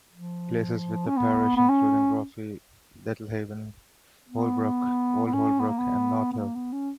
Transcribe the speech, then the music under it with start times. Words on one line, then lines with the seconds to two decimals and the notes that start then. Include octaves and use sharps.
Places within the parish include Roffey, Littlehaven, Holbrook, Old Holbrook and North Heath.
0.13 F3
1.07 C#4
1.17 B3
1.57 B3
1.69 C#4
4.29 B3
5.26 B3
5.33 C#4
5.60 B3
5.69 A#3
5.78 B3
6.33 B3
6.38 A#3
6.55 B3
6.73 C#4